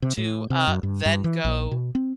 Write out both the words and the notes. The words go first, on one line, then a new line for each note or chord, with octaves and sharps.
to, uh then go
C3
A2
C3
F#2
G2
G2
E3
A#1
B2
C4